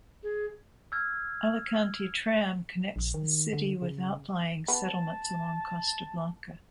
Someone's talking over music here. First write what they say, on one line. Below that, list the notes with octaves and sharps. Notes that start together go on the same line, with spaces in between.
Alicante Tram connects the city with outlying settlements along Costa Blanca.
G#4
E6 F6 G#6
A#1
D#3
D3
C#3
B3 A5